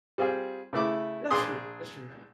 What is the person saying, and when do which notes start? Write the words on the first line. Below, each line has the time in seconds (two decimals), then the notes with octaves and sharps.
That's true that's true.
0.18 G3 C4 F4 G#4
0.73 C#3 A3 E4 D6
1.31 A#1 D4 G#4 C6 D#6